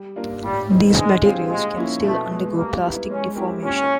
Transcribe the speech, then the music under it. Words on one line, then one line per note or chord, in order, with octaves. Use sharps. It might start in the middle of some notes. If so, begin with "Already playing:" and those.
These materials can still undergo plastic deformation.
Already playing: G3
A#3 D4 F4 A#4
A2 G3
E3 A3 C4 D#4
D3 G#3
G3 C4 F4 G#4
A#2 G#3
F3 A#3 C#4 E4
B2 A3
G#3 B3
G3 A#3
B3 E4
G#3 C#4
C4 E4 G4 A#4
A#2 C#4